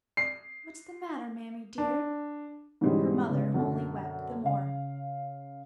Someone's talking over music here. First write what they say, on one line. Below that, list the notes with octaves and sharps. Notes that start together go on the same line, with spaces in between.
What's the matter, mammie dear?' her mother only wept the more.
C7
D4
G#2 B2 E3 G3 G#3 C#4
C#3 G#3 B3
F#2 B2 D3
C#3 F5